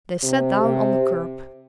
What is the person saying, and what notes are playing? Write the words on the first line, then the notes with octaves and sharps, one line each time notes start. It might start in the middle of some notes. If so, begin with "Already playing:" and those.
They sat down on the curb.
C3
C3